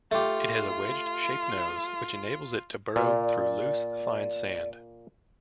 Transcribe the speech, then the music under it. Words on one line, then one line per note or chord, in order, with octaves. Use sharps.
It has a wedged-shaped nose which enables it to burrow through loose, fine sand.
A3 F4 G4
A#2 D5